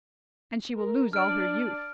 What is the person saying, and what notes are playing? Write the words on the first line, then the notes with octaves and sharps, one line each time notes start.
"And she will lose all her youth."
A#4
D4 D5 F6 D7